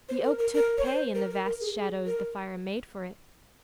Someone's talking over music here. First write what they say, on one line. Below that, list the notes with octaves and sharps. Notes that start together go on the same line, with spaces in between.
The oak took pay in the vast shadows the fire made for it.
C5
A#4
A#4
A#4
C#5
C5
A#4
A#4
A#4
G#4
G#4
A#4